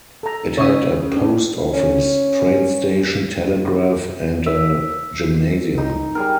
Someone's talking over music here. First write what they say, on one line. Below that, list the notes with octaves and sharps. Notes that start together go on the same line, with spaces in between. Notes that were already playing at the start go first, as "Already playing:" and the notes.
It had a post office, train station, telegraph and a gymnasium.
A4 A#5
C#3 C#5 E5 D#6
D4
C#4
E5
D#4
G3 G#4 A#4